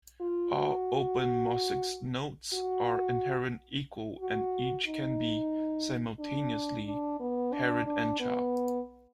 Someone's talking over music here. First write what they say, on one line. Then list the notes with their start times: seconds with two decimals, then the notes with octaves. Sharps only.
All openMosix nodes are inherently equal and each can be, simultaneously, parent and child.
0.20 F4
0.53 F#4
2.53 F#4
4.20 F#4
4.86 D#4
6.20 D4
6.86 D4
7.19 B3
7.53 D4
7.86 D4
8.20 B3